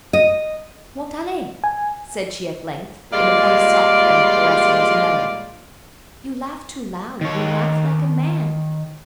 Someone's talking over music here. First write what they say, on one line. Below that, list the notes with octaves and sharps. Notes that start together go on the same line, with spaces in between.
Montalais!" said she at length, in a voice soft and caressing as a melody, "you laugh too loud--you laugh like a man!
D#5
G#5
A#2 G3 G#3 F4 D5 F5
D#3 C#5